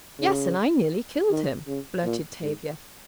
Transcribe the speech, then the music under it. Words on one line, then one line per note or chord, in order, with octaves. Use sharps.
"Yes, and I nearly killed him," blurted Tavia.
C#3
D#3
C#3
A#2
G#2